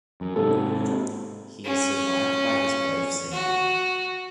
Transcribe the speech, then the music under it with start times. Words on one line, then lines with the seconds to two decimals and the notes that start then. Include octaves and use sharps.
He is survived by his wife Cindy.
0.21 F#2
0.36 G#2 C3 A4
1.65 C#4
3.32 F#4